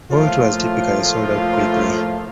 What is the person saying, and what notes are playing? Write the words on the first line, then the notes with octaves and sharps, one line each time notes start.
All tours typically sold out quickly.
A2 F3 A3 A#3 F4